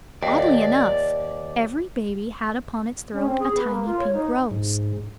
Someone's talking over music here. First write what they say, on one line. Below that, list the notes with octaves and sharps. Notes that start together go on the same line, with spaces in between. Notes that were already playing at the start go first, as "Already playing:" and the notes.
Oddly enough, every baby had upon its throat a tiny pink rose.
D#2 D5
C#4
C4
G#4
B3
A#3
F4
C#5
D#4
G#2